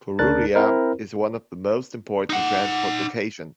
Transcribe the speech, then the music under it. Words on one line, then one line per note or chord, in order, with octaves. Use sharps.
Purulia is one of the most important transport location.
D2 D4 A#4 F#6 A6
C4 E4 A#4 C5
D#4 F#5